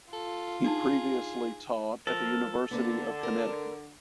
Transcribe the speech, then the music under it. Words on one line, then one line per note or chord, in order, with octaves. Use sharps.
He previously taught at the University of Connecticut.
F4 A4
D4 D#4 G#4 A5
F3 A4 A#4
D3 A#3 B3
A#4